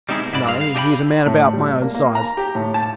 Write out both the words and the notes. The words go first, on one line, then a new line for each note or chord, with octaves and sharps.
"No, he is a man about my own size."
G3 G#3 C4 D#4 E4 G#4
B2
G#2 E4 F#4 D5 B5
G2 G#3 F5
F5
D4 G4 D#5 G5 B5
A2
G3
A#3
A#3
A#5
G4
A2
A5